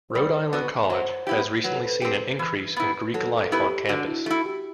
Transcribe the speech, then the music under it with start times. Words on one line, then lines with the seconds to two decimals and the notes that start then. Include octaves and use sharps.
Rhode Island College has recently seen an increase in "Greek" life on campus.
0.10 C5
0.14 G3 D5
0.53 B3 F#4
0.90 F#3 C5
1.27 B3 E4 G4
1.64 F#3 B4
1.75 A4
1.86 B4
2.02 C4 G4
2.39 E3
2.77 B3 E4
3.14 F#3 A4
3.52 B3 E4 G4 B4
3.89 D3 F#4
4.08 E4
4.26 A3 E4 F#4
4.46 G4